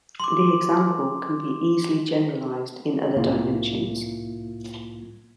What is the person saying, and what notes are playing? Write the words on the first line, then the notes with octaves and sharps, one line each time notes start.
The example can be easily generalized in other dimensions.
C6 D6
C2 A2 A#3 E4 F4